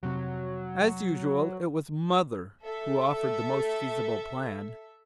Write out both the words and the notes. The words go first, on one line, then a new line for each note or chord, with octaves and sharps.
As usual, it was "mother" who offered the most feasible plan.
F1 C3 F#3
A4 E5